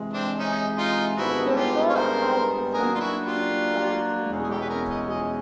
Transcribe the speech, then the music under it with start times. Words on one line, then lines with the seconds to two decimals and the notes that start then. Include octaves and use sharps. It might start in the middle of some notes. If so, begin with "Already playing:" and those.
The resort has a significant place in golf history.
Already playing: C3 E3 G#3
0.13 C4 D4
0.39 C#4 D#4
0.78 D#4 F4
1.17 G#2 D#3 G3 B3 D4 E4 F#4
1.56 F4 G4
1.89 C#5
1.95 A#4 C5
2.73 F#3 A#3 D4 G#4 A#4
2.95 F4
3.00 E4 F#4
3.25 F4 G4
4.30 E2 B2 G#3 C#4
4.43 G#4
4.50 G4 A4
4.61 B4
4.69 G#4 A#4
4.89 D#5
5.10 D#5